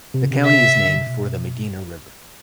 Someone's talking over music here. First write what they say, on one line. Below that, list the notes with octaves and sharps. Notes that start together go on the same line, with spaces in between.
The county is named for the Medina River.
C3
C#3
C3
E5
C#3
D3
C3
B2